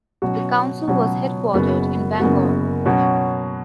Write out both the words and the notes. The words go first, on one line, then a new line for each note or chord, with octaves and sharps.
The Council was headquartered in Bangor.
B2 F#3 C#4 F#4
B2 F#3 C#4 F#4
F#1 F#2 C#3 B3 F#4
F#1 F#2 C#3 B3 F#4
B2 F#3 C#4 F#4